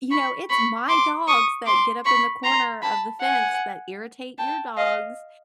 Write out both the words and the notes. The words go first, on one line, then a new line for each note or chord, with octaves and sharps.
you know, it's my dogs that get up in the corner of the fence that irritate your dogs,"
B5 C#6
B5 C#6
C6 D6
C#6 D#6
C6 D6
B5 C#6
A#5 C6
A5 B5
F#5 G#5
G5 A5
D#5 F5